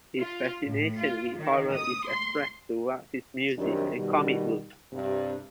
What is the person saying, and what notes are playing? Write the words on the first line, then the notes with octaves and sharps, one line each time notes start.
His fascination with horror is expressed through his music and comic books.
F4
A2
F4
D#3
D#6
C6
F#2 C3 D#3 G3 C#4 D4
B2 D#3 G3
G2 C3